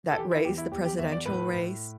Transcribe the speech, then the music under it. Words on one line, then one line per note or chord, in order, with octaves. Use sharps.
that race the presidential race
A4
E3 G4
E4
E2 G4
E4
E2 G4
G4
E2 E5
D5
A2 B4
A2